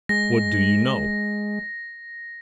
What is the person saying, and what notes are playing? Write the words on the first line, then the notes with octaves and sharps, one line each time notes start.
"What do you know?"
G#3 A#6